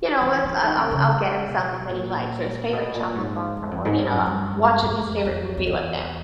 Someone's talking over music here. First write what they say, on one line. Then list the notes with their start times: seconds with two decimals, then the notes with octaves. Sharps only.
You know, let's I'll I'll I'll get him something that he likes, or his favorite chocolate bar or, you know, I'm watching his favorite movie with him.
0.21 E3
0.44 E3
0.63 D#3
0.77 C#3
0.91 C#3
1.47 B2
1.89 A#2
2.73 B2
2.94 A#2
3.15 G#2
3.57 F#2
3.71 F2
3.85 G#2
3.99 G2
4.12 F#2
4.26 G2
4.83 F2
5.25 F2
5.57 F2
5.67 E2